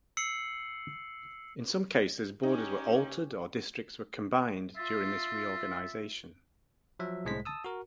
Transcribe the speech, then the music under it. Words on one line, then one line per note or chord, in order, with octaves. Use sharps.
In some cases, borders were altered or districts were combined during this reorganisation.
E6 C7 C#7 F#7
C#4 D#4 G4
F4 E5 A6
F3 F#3 E5
C2 A2 G#3 C5 B6
A5 D#6 E6
F#4 A#4